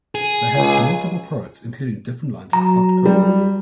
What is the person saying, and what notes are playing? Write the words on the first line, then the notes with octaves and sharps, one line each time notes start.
They have multiple products including different lines of Hot Cocoa.
G#4
C#2
F#3 A#5
G3